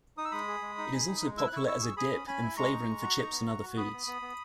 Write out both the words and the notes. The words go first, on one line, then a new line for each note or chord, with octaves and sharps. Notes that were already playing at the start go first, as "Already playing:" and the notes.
It is also popular as a dip and flavoring for chips and other foods.
D#4 D#6
E6
G#3 B5 D#6
G#4
G#3
D#4
G#4
D#4
G#3
E4 E6
F#6
E4 C#6 E6
E4 C#6 E6
G#4
G#4 B5 D#6
C#4
C#4 G#5 B5
E4
G#3 A#5 C#6
D#4
G#3
F#4
D#4
B3
F#4
F#4
B3 B5 D#6
B3
B3
B3